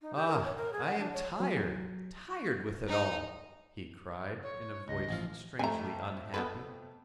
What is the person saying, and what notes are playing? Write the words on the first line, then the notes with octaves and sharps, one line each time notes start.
"Ah, I am tired--tired with it all!" he cried, in a voice strangely unhappy.
D#4
G4
A#4
C#5
A#4
G#4
F#5
D4
C#5
F#3
D#4
C#5
C#2 D#5
A1 F3 F5
F2 A3 G#5 A#5
B3 A4 B4